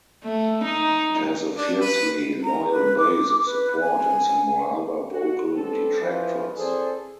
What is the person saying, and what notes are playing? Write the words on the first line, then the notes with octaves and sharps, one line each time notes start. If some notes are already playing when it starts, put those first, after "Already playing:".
It has a fiercely loyal base of support and some rather vocal detractors.
A3
D#4
D4
B4
A#5
B4
D6
B4
G#5
F#4
G3 B3 C4 A4
E3 F3
E3 C4 G#4 A4 C5 D5